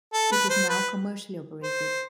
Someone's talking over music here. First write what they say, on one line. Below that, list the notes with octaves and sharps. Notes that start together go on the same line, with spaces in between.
It is now commercially operated.
A4
B4
C5
B4
C5